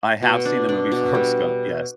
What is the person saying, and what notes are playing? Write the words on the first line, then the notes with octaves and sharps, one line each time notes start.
I have seen the movie Forrest Gump. Yes.
B2
D4
D4
B2
G3